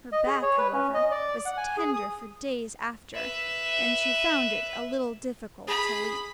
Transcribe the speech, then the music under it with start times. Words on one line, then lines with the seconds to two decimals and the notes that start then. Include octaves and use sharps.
Her back, however, was tender for days after, and she found it a little difficult to leap.
0.12 D#5
0.27 G#4
0.42 C#5
0.58 B4
0.73 C#4
0.94 D#5
1.11 D5
1.46 F#5
1.57 G#5
1.77 G#4
1.94 D#6
3.15 B4 E5
5.68 G#4 B5